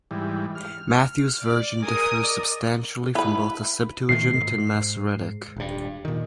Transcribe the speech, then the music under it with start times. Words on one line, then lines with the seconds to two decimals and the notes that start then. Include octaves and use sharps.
Matthew's version differs substantially from both the Septuagint and Masoretic.
0.11 G#2 E3 G3
0.55 F6
1.42 D5
1.83 G#4 A#4 D#6
2.24 D5 D#5
3.15 E4 B4 B5
4.09 A#2 D#3 A3 C7
4.36 G#2
5.56 D#1 G2
6.05 A#2 D#3